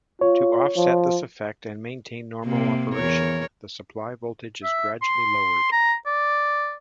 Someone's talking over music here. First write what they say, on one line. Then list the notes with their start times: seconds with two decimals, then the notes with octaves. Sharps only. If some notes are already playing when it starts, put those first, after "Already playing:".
To offset this effect and maintain normal operation, the supply voltage is gradually lowered.
0.21 F4 C#5
0.77 F3
2.45 C3 A#3
2.95 E2 A#4 C#5
4.64 E5
5.02 C6
5.72 A#5
6.06 D5